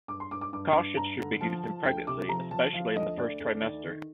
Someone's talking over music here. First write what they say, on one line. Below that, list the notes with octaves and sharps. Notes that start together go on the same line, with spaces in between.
Caution should be used in pregnancy, especially in the first trimester.
G2 D6
C6
G2 D6
D6
G2 D6
G2 D6
G2 A#5
D3
F3 A5
F3 A5
D2 G5
C3 D6
F3 A#5
F3 A5
F3 F5
D2 D#5
D2 D5
D2
D#3
D#3